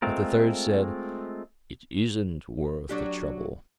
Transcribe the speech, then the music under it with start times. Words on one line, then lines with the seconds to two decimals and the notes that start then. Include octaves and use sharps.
But the third said: 'It isn't worth the trouble.
0.02 G#3 A3 C4 F4 A#4
2.89 F#3 D4 G4